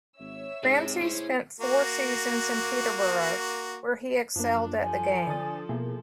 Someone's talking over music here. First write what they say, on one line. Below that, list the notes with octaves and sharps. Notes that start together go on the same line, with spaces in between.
Ramsay spent four seasons in Peterborough where he excelled at the game.
G#1 C#5 E5 E6
G#2 C3 G4 G#4
C#4 E4 G#4 C5
A#3 F#4
F#2 F3 A#3 D4
F3 G3 A4 G#5
D3 D5 A5 D#6 A6
B2 A#3 E4 G#4